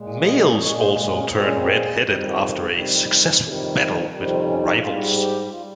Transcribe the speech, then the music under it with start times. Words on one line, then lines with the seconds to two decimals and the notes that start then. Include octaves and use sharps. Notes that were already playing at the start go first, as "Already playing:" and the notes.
Males also turn red-headed after a successful battle with rivals.
Already playing: A#2 G#3
0.26 D#5
0.51 D#5
0.61 A#2 G#3 C#5
0.78 C5
1.06 C4
1.13 C#4
1.31 A#2 G#3 C4
1.44 C#4
1.56 C4
2.01 F2 C3 D#3 G3
2.71 F2 C3 D#3 G3
3.41 F2 C3 D#3 G3
4.10 F2 C3 D#3 G3
4.28 C4
4.45 C#4
4.63 D#4
4.81 G#2 G3 F4
5.15 G4
5.46 G4
5.50 G3 F4